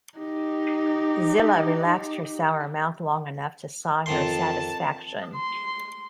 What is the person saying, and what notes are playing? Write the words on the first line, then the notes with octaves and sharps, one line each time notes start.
Zilla relaxed her sour mouth long enough to sigh her satisfaction.
D#4 G4
F2 D#3 A5 C6
C6